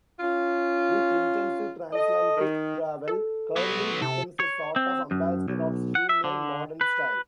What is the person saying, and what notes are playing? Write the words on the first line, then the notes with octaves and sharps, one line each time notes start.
With intensive transatlantic travel, Carlu becomes a sort of ambassador of Streamline Moderne style.
C#4 F4
A4 D#5
D#3
A4
F#3 B3
C3 A4
C#5
C4
F#2
B1
F#5
E5
D3
B4